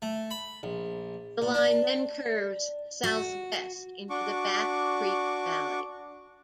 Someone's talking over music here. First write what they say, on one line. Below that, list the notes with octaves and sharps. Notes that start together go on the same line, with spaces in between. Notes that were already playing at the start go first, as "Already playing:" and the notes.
The line then curves southwest into the Back Creek valley.
A3
B5
A#1
A#2
D4
F#4
D4 F#4 C#6 D6